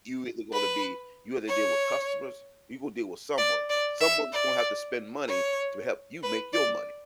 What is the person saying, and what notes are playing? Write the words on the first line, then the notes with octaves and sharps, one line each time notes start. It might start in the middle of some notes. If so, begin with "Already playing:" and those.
You either gonna be you either deal with customers or you gonna deal with someone. Someone's gonna have to spend money to help you make your money,
B4
C#5
D5
D5
E5
D5
C#5
B4
D5